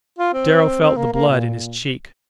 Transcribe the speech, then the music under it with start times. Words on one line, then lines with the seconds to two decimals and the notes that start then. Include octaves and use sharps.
Darrow felt the blood in his cheek.
0.19 F4
0.34 C4
0.82 C4
0.97 A#3
1.12 A#3
1.29 A#2